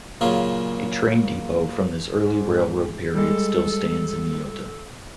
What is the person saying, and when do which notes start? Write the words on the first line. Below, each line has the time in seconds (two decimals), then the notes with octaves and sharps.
A train depot from this early railroad period still stands in Niota.
0.21 A#2 C#3 F#3 A#3 F4 G#4
2.14 G#2
3.15 G3 G#3 A4